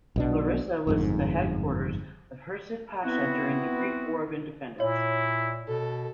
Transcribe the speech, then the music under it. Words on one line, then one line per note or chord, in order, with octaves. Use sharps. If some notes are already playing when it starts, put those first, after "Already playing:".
Larissa was the headquarters of Hursid Pasha during the Greek War of Independence.
B1 B2 D4
G1 F2 G#2
B3 C4 E4 F#4
A#2 E4 C#5
B2 A4